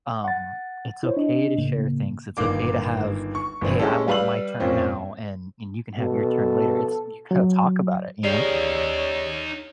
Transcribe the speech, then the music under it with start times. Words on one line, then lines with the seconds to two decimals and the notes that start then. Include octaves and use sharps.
Um, it's okay to share things, it's okay to have "Hey, I want my turn now, and and you can have your turn later." It's you gotta talk about it, you know?
0.24 F#5 A6
1.03 E4 C5 C#5
1.17 D4 D#5
1.58 A2 C#3 A#3
2.37 G1 D#3 A#3 D6
3.35 C#6
3.61 G1 E3 C4
3.79 G#3 C#4 E4 G4 A4
4.08 G3 B4 F5 E6 F#7
4.60 F2 A#2 F3 C4 C#4
5.98 B2 A4
7.31 F#3
8.24 C#3 G3 D#4 C#5 F5